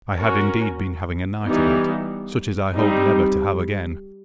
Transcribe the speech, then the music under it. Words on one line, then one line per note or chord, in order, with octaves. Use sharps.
I had, indeed, been having a night of it, such as I hope never to have again.
C#4 F#4 A#4
E3 G3 B3 D#4
G3 C4 D#4